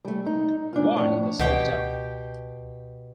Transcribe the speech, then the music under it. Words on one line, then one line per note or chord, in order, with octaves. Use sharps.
Why the self-doubt?
G3 A3
D#4
G#2 D4 D#4 F4
F2 A2 C#5
C#2 B2 G4 G5